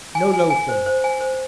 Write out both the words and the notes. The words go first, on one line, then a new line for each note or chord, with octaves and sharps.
No loafing!
G#5
G#5
G#5
C5
C5
G#5
C5